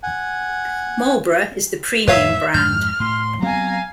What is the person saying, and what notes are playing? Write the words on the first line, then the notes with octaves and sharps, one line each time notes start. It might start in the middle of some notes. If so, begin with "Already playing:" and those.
Marlboro is the premium brand.
F#5 G#5
F2 A2 G3 B4 C#5 E5 F5
F2 G#2 F6 G6
A2 C6
F#3 B3 C4 F5 G#5 A#5